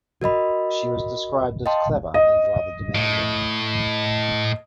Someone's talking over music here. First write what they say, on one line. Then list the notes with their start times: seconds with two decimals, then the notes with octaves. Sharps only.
She was described as clever and rather demanding.
0.21 F#4 A#4 D#5 B5
1.66 D#5 F5 G5 A5 C6
2.14 D#5
2.95 A2